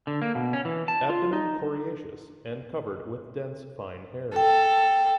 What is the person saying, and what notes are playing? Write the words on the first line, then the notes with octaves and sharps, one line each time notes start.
Abdomen coriaceous and covered with dense fine hairs.
D3
A#3
B2
C#4
E3
A5
F4
D#4
A4 G5